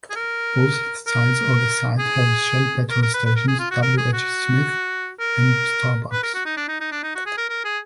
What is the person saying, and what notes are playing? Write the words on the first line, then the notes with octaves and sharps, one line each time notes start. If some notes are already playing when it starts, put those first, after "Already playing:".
Both sides of the site have Shell petrol stations, W H Smith and Starbucks.
G#4
A#4
A#4
G#4
A#4
A#4
B4
B4
A#4
G#4
F4
F#4
A#4
G#4
F#4
A#4
B4
A#4
F#4
D#4
D4
D#4
D#4
D4
D#4
F#4
G#4
A#4
A#4
G#4